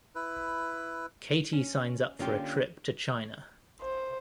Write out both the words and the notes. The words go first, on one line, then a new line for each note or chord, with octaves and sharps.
Katie signs up for a trip to China.
E4 B4
C#4
D3 A#3 C#4 F4 G4
C5